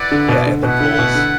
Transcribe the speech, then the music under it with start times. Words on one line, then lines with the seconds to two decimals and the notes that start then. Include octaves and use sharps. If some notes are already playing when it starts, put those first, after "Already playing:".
yeah, and the pools
Already playing: E4 B4 D5 F#5
0.12 D3
0.28 B2
0.47 D3
0.63 B2 A3 E4 B4 F#5
0.80 D3
0.93 D3
0.98 B2
1.15 D3